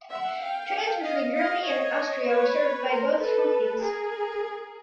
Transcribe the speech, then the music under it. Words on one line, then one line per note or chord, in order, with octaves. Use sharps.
Trains between Germany and Austria were served by both companies.
E5 F#5
F5 G5
D#5 F5
D#5 F5
C#5 D#5
B4 C#5
A#4 C5
A4 B4
G#4 A#4